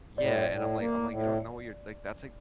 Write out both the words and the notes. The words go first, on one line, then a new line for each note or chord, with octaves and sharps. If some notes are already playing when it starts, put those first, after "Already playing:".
Yeah, and I'm like I'm like, "You don't know what you're" like, that's, like
A2 D5
A2
A#3
A2